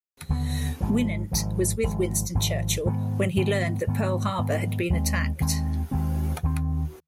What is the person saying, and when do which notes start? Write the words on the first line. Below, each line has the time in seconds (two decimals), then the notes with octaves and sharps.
Winant was with Winston Churchill when he learned that Pearl Harbor had been attacked.
0.29 D#2 D3 G#3 B3
0.81 G#1 G#2 F3
1.32 G#1 G#2 F3
1.83 G#1 G#2 F3
2.35 G#1 G#2 F3
2.85 G#2 D#3 B3
3.36 G#2 D#3 B3
3.87 G#2 D#3 B3
4.38 G#2 D#3 B3
4.90 D#2 D#3 G#3 C4
5.41 D#2 D#3 G#3 C4
5.91 D#2 D#3 G#3 C4
6.43 D#2 D#3 G#3 C4